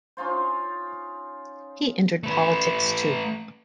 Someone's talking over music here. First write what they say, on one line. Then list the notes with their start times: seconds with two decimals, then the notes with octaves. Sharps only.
He entered politics too.
0.17 C#4 D#4 F4 C5
2.23 A3 B4